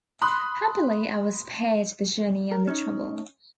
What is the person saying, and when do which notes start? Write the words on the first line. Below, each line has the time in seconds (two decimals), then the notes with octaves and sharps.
Happily, I was spared the journey and the trouble.
0.22 B5 C6 D#6 F#6
2.51 A#4
2.67 C#4 D#4